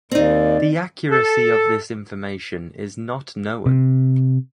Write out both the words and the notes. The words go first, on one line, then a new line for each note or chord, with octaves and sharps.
The accuracy of this information is not known.
D#2 C4 D#4 D5
A4
C3